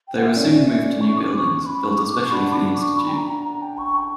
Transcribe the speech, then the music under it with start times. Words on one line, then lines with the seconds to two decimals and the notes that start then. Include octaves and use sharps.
They were soon moved to new buildings, built especially for the institute.
0.08 G5
0.17 F#5
0.25 E5
0.35 C#4 E4 D5
0.51 D5
0.67 E5
0.85 D5
1.01 C#6
1.17 D6
1.33 C#6
1.49 C#6
1.61 C#6
1.66 B5
1.82 C#6
1.98 D6
2.14 C#6
2.31 D4 F#4 B5
2.52 D6
2.75 C#6
2.97 B5
3.07 G5
3.13 A#5
3.29 A#5
3.45 A#5
3.62 G5
3.78 C#6
3.95 G5